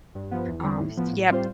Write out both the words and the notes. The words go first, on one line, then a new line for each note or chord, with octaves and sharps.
Um, yep,
G2
F3 B3
E2
D3 G3 C4
A2
F3 B3
A2
G3 C4 F4 C5